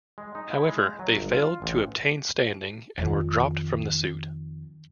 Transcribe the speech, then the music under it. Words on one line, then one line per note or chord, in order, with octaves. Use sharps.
However, they failed to obtain standing and were dropped from the suit.
G#3
D#4
E4
G#3
F#3
G1
F4
A1
F2 D#3